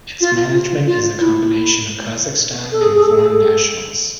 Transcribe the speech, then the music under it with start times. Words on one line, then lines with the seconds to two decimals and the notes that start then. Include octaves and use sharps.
Its management is a combination of Kazakhstan and foreign nationals.
0.20 F4
0.54 F4
0.87 F4
1.19 E4
2.72 A4
2.81 G#4
2.93 G#4
3.02 A4
3.16 G#4
3.25 A4